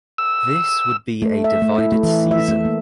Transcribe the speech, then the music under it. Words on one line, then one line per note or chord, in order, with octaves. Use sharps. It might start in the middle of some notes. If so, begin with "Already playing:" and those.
This would be a divided Season.
E6
A3
E5
A3
E4
A3
E3
E5
A3
A#3